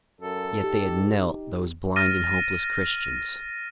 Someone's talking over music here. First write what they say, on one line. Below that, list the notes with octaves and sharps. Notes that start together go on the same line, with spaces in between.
Yet they had knelt, those blind and hopeless Christians....
F#2 A4
D#4 G4
F6 A6 A#6 D#7